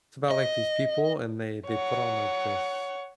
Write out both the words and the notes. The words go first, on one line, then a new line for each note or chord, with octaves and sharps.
it's about, like, these people, and they they put on, like, this
D#5
C#5 F#5